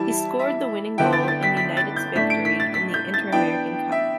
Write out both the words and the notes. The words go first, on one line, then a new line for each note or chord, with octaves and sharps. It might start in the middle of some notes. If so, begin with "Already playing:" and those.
He scored the winning goal in United's victory in the Interamerican Cup.
Already playing: E3 G3 E4 A5
E5
D3 B3 E4 G5
A6
A6
B6
B6
A6
G6
A2 A3 D4 B6
D7
B6
A6
B6
G6
A6
E3 B3 D4 G5
E5